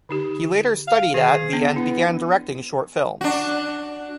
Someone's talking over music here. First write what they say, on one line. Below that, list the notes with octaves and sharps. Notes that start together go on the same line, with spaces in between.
He later studied at the and began directing short films.
D3 D#4 G4
F5
D#3 G#4
B3 D4
B3 E4
D4 F#4